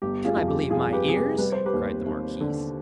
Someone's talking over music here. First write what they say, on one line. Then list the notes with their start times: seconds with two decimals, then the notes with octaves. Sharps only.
"Can I believe my ears?" cried the marquise.
0.02 G1 G4
0.25 F4 G#4
0.36 F2
0.48 G4
0.70 F2 F4 G#4
0.93 G4 B4
1.04 C3 G#4
1.16 G4 B4
1.38 G3 B4
1.52 C5
1.66 G4 B4
1.73 D#2
2.06 D#2
2.41 D3